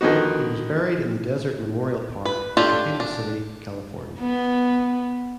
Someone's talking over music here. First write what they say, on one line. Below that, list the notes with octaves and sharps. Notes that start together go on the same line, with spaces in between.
He was buried in the Desert Memorial Park in Cathedral City, California.
D3 D#3 F3 B3 D#4 F#4
B4
D4 F4 G4 A4 C#5
D4
B3